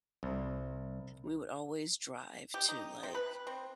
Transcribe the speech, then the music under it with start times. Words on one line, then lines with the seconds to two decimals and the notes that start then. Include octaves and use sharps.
we would always drive to, like,
0.23 C2
2.54 G4
2.69 D#4
3.03 C3
3.15 B4
3.47 C4